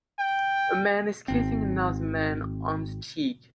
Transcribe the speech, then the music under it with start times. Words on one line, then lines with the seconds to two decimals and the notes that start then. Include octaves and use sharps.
A man is kissing another man on the cheek.
0.19 G5
1.28 G#1 C4